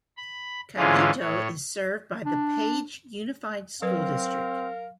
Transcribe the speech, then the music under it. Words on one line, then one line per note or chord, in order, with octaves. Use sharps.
Kaibito is served by the Page Unified School District.
B5
G#2 D3 E3 C#4 F4 G#4
A2 C#5
D4
F#3 C4 A#4 B4 F5